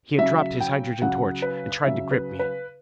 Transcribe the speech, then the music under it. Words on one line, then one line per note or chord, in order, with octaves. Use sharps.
He had dropped his hydrogen torch, and tried to grip me.
C#3 F#3 E5
G5
C#3 F#3 F#5
B4
C#3 F#3 E5
B4
B4